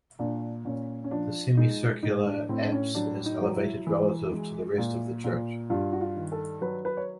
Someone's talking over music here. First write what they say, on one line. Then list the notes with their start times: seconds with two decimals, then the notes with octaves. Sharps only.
The semicircular apse is elevated relative to the rest of the church.
0.19 A#2 D4
0.65 A#2 C#4
1.04 C#4
1.11 F3 D4
1.57 G#3 D#4
2.03 A2 D#4
2.26 D4
2.49 A2 C4
2.61 D4
2.72 C#4
2.95 F#3 D4
3.26 D#4
3.41 F#3
3.57 E4
3.87 E3
4.33 G#3
4.78 A#2
5.24 A#2
5.70 G2 F4
5.93 F#4
6.01 F4
6.16 D#3
6.32 A4
6.61 F#3 B4
6.85 B4
6.97 C#5